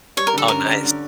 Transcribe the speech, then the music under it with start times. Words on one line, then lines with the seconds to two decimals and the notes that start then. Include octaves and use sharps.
Oh, nice.
0.17 G3 C#5
0.27 A#4
0.33 D3 A4
0.48 C#4 A#4
0.67 D3
0.83 D3